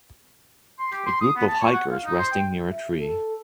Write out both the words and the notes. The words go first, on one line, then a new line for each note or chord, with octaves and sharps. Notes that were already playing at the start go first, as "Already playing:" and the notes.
A Group of hikers resting near a tree.
C6
G4
C6
D#6
B3
A5
C#5
F#5
F5
D#4
C5
G5
E5
A4